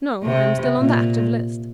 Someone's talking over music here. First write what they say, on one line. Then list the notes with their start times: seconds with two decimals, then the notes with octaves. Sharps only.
"No, I am still on the active list."
0.23 C3
0.78 A#2